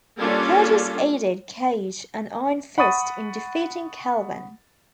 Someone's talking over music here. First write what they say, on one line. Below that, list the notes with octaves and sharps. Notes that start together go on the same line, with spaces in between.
Curtis aided Cage and Iron Fist in defeating Calvin.
G3 A#3 C#4 D4 F4 A4
F#5 B5 C#6 D#6 A6 D#7